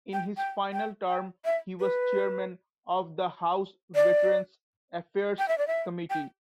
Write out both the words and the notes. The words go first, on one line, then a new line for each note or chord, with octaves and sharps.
In his final term he was chairman of the House Veterans' Affairs Committee.
G5
G5
G5
G5
E5
B4
D5
G5
E5
D5
E5
G5